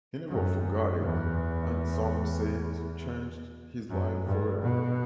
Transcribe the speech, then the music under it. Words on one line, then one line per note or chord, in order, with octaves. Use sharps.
He never forgot it, and some say it changed his life forever.
F#2
E2
F#2
G2
B2